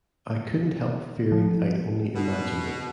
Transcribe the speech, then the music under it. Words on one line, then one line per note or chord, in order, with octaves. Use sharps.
I couldn’t help fearing I’d only imagined it.
F3
B2